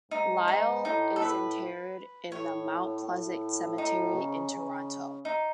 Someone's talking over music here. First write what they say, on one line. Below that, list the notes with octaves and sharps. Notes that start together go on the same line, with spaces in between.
Lyall is interred in the Mount Pleasant Cemetery in Toronto.
G#2 D#4
D#4
A2 D#4
A4
B4
A2 C#5
A2
A2 D#4
C#3
C#3
D#4